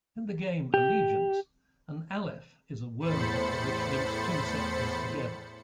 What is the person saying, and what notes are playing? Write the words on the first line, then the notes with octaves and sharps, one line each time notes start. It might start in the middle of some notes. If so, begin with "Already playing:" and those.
In the game "Allegiance" an Aleph is a wormhole which links two sectors together.
G4
E2 A2 C5 B5 A6 C#7